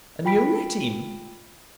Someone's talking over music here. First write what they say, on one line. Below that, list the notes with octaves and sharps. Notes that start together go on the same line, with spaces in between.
"And you let him?"
F4 G5 B5 B6 D7